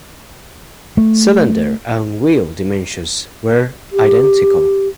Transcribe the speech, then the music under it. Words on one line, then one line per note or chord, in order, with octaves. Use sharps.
Cylinder and wheel dimensions were identical.
A3
G4